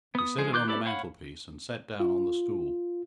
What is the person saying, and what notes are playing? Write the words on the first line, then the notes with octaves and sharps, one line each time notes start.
He set it on the mantelpiece, and sat down on the stool.
B3 D#6
F3 G#3 G#4
D#3 F4 D6 F#6 G6
E4 G4 A4 B4 D5
C#5 F5 F#5 B5
F4